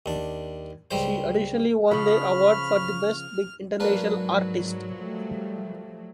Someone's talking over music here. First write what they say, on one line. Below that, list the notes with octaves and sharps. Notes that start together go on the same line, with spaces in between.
She additionally won the award for the Best Big International Artist.
D#2 D4
C#2 G3 C5
C#3 F3 B5 C#6 F6
G#2 F#3 A#3 D4 B4
F3 G3 A3